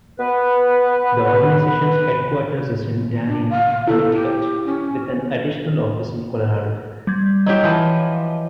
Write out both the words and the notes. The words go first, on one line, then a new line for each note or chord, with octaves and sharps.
The organization's headquarters is in Darien, Connecticut, with an additional office in Colorado.
B3 B4
D4
F5
E4 A4
G4
C#4
G3 G#6
F#3 E4 G4 C#5 D#5
E3 F3